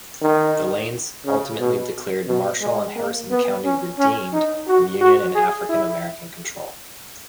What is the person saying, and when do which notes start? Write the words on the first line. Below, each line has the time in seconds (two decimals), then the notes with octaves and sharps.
The Lanes ultimately declared Marshall and Harrison County "redeemed" from Union and African-American control.
0.22 D#3
1.25 C#3
1.59 B2
2.27 B2
2.61 G#3
2.96 A#3
3.30 B3
3.64 C#4
3.99 C#4
4.33 D#4
4.67 F#4
5.01 F#4
5.35 G#4
5.69 E4